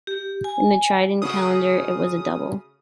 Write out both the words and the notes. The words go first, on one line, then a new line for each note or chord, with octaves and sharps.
In the Tridentine Calendar, it was a Double.
G4
G#5
C#3 A3 F#4 D#6